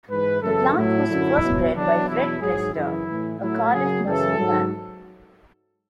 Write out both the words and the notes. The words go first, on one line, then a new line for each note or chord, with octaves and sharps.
The plant was first bred by Fred Treseder, a Cardiff nurseryman.
G#2 E3 B4
F#2 C#3 E3 A4
A2 F#3 E4
F#2 D3 F#3
E2 B2 F#3
E2 B2 F#3 D4
E2 B2 F#3 E4
G#2 F#3 G#4
F#2 C#3 E3 E4
A2 E3
A2 F#3 E4
F#2 C#3 F#3 G#4
F#2 C#3 E3 A4
G#2 F#3